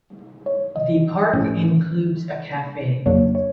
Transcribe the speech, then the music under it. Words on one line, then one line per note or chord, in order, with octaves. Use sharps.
The park includes a cafe.
C#5
D#5
A2 F3 A3 C#4
F2 C#3 F#3 A#3 D4 C#5
C#5